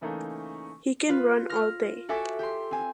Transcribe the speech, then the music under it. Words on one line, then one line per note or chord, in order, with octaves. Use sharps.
He can run all day.
C#3 E3 A3 A#3 D#4
F4 B4
F6 A#6
F#4 A4 E5 G#5 D6
G4 C6
C4 G#5